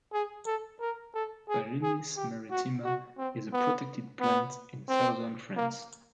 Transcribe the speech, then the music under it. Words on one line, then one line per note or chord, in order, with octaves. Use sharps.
"Pallenis maritima" is a protected plant in southern France.
G#4
A4
A#4
A4
G#4
G#4
G4
F#4
F#4
C4
B3
B3
C4
A#3